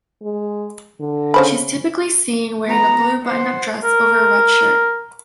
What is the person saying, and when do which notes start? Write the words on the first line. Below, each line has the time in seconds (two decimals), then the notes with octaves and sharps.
She is typically seen wearing a blue button-up dress over a red shirt.
0.22 G#3
1.00 D3
1.34 C#3 C5 B5
2.67 B3 A#5
3.24 C5 F#5
3.84 A#4